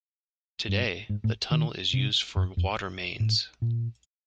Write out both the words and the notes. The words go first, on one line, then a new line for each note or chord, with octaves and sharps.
Today the tunnel is used for water mains.
G2
G#2
A2
D#3
C3
F#2
F2
A2
A#2